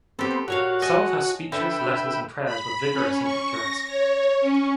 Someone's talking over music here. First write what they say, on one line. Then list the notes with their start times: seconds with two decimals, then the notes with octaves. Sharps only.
Some of her speeches, letters, and prayers were vigorous and picturesque.
0.19 B3 C4 G4 A4
0.48 A#2 F#4 C#5 F5
0.82 D#5 G#5 A5
1.52 D3 B4 E5 G5
2.45 B5
2.92 C#4
3.22 C#6
3.51 A#6
3.87 C#5
4.41 C#4